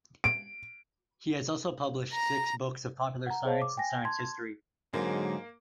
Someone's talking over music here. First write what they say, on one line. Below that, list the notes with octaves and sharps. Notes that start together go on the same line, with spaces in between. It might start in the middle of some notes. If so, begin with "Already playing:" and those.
He has also published six books of popular science and science history.
D7
A#5
F#5 A#5
G#4 C5 C#5 D#5 F5 A5
D6
G5 G#5 A#6
A5 C6 G#6
G#2 D3 F#3 G#3 A#3